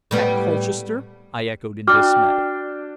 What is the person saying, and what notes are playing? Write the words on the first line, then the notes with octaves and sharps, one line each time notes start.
"At Colchester!" I echoed in dismay.
A2 G3 B3
D4 F#4 G5 D6 F6